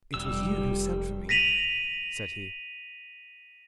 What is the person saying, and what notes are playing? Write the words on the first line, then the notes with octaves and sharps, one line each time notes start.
"It was you who sent for me," said he.
F1 G3 E6
A#6 B6 D#7 F7 F#7